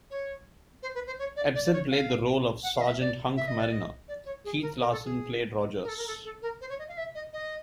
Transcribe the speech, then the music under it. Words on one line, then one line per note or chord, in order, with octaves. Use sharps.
Ebsen played the role of Sergeant Hunk Marriner; Keith Larsen played Rogers.
C#5
C5
B4
C5
C#5
D5
D5
D5
C#5
F5
F#5
F5
D#5
E5
D5
E5
D#5
D5
D#5
D5
C#5
G#4
A#4
A#4
A4
G#4
A#4
A4
A#4
A4
A4
A#4
C5
C#5
D#5
F5
E5
D#5
D#5